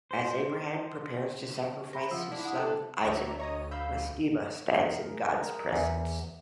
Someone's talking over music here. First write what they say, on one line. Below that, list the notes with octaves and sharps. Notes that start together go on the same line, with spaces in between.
As Abraham prepares to sacrifice his son Isaac, Mastema stands in God's presence.
C5
G4
C5 B5 A#6
F3 E5 F#5 E6
D4 E4
E4 F#5 D#6
A4 F#6
D2 C#5 D5 E5 A#5
C#5 D#5 A#5 D#6
F5 B5 E6 G6
G#4 A#4
E2